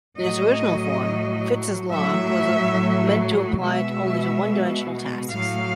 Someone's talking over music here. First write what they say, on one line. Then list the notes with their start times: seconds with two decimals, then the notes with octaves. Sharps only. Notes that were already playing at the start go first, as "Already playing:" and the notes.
In its original form, Fitts's law is meant to apply only to one-dimensional tasks.
0.20 A2 F#3 D#5
1.91 A2 F#3 E5
3.61 B2 G#3 E5
5.31 A2 F#3 F5